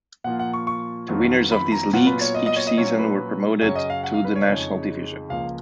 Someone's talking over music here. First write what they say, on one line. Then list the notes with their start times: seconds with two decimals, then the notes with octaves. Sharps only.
The winners of these leagues each season were promoted to the National Division.
0.24 A#2 F3 A#3 F4 F#5
0.39 F#5
0.53 C#6
0.67 C#6
1.09 F2 D#3 F#3 B3 F4
1.52 B5
1.72 A#5
1.92 A#2 F#3 B3 F4 F#5
2.07 B4
2.21 C#5
2.35 D#5
2.46 D#5
2.56 C#5
2.67 D#5
2.77 A#2 F#3 C#4 F4 C#5
2.99 B4
3.61 F#2 C#3 F#3 C#4 C#5
3.75 D#5
3.90 F5
4.04 F#5
4.14 F5
4.25 B4
4.36 C#5
4.45 F2 C#3 G#3 D#4
5.29 C#2 C#3 F3 A#3 F5